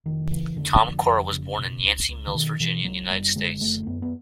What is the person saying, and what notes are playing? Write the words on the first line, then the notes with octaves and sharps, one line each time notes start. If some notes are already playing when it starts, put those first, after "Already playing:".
Tom Cora was born in Yancey Mills, Virginia, United States.
F1 D#3
C#3 E3
F1 D3
F2
F1
C#3
B2
C#2
C#2
D3
B2 D#3
B2 E3
C#2 F#3
F#1 G3
D3 G#3
F#1 A3
F#2 B3
B3